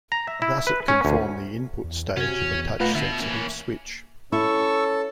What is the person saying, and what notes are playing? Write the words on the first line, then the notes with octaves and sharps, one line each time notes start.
Thus it can form the input stage of a touch-sensitive switch.
A#5
E5
E4
B4
C#4
D2
E2
C3 C#4 F#4 G#6
E2
B2 A3 D#4 F4 B4 F#5
B2 D3 B3 E5
E3 A#3 C#4
C#4 E4 A4 C#6 E6